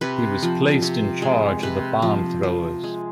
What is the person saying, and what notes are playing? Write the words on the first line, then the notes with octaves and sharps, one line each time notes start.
He was placed in charge of the bomb-throwers.
C3 B4
F3
C3
G#3
C3 B4
F3
F3
G#3